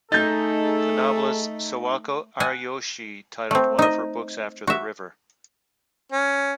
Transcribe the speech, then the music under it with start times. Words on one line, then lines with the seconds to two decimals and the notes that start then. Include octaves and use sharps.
The novelist Sawako Ariyoshi titled one of her books after the river.
0.12 A3 D#4 G#4 A4 G6 A6
2.40 F#5 G#5
3.51 A3 C4
3.79 D#4 D#5
4.67 F#4 E5
6.12 C#4